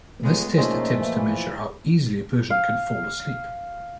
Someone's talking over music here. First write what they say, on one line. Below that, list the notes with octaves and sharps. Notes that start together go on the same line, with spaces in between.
This test attempts to measure how easily a person can fall asleep.
C#2 G#3 A3 B3
A#2 F3 A3 C#4 D#4 G#4 C5 D#5
E3 F3
F5